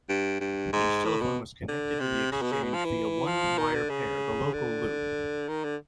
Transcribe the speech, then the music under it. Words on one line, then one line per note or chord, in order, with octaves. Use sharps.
Each telephone was connected to the exchange via one wire pair, the local loop.
G2
G2
G#2
A2
B2
D3
C3
C#3
B2
C#3
B2
F3
E3
F3
D#3
D3
C#3
D3
D#3
D3